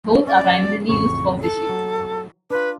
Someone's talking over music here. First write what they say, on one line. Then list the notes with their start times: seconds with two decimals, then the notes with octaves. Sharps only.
Both are primarily used for fishing.
0.27 C#4 D5
0.89 A1 F2 C#3 C#6
1.42 A4
1.69 F#3
2.50 D4 F4 B4